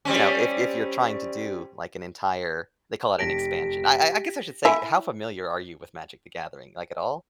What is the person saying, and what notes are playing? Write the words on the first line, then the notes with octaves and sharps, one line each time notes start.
you know, if if you're trying to do, like, an entire they call it an expansion. I I I guess I should say how familiar are you with Magic: The Gathering, like, at all?
G3 C4 C#4
F1 G4 A5 A#6 B6 D7
E4 E5 G#5